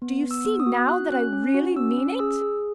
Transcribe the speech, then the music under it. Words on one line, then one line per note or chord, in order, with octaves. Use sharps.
Do you see now that I really mean it?'
B3
B3
E6
B3
D#6
F#4
F#4 F#6
C#4 F#6
C#4
F#4
C#4 E6
C#4
G#4 E6
G#4